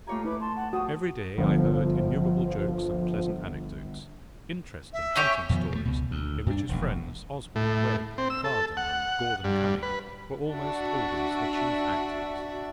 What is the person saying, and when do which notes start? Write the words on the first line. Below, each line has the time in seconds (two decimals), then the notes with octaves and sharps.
Every day I heard innumerable jokes and pleasant anecdotes; interesting hunting stories, in which his friends Oswell, Webb, Vardon, and Gorden Cumming were almost always the chief actors.
0.07 A3 F4 G4 C#5 F5 G#5 A#5
0.25 E4 B4 B5 D6
0.40 A5 C6
0.56 F#5
0.73 F3 F#4 D#6
1.38 G1 F3
4.93 E5
5.16 C#4 G4 C#5
5.49 F2 B2 D#3 F3
5.71 G2 A3
5.85 C#2 B2
6.11 D2
6.46 G2 D4
6.69 E1 A#1
7.56 A2
8.18 C4
8.30 E6
8.44 A4
8.77 F#5
9.44 G2
9.83 B4
10.51 D4 F#4 E5